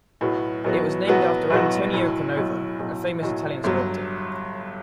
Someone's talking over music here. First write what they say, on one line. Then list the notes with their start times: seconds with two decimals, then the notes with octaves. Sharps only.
It was named after Antonio Canova, a famous Italian sculptor.
0.21 B1 A2 F#3 B3 F#4
0.64 B1 A2 F#3 B3 F#4
1.07 B1 A2 F#3 B3 F#4
1.50 B1 A2 F#3 B3 F#4
1.93 B1 A2 F#3
2.36 B1 A2 F#3
2.79 B1 A2 F#3
3.22 B1 A2 F#3
3.64 G1 G2 F#3